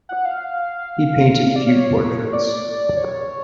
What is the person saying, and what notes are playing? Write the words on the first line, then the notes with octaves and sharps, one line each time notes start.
He painted few portraits.
F#5
F5
F5
D5
C#5
D5
C#5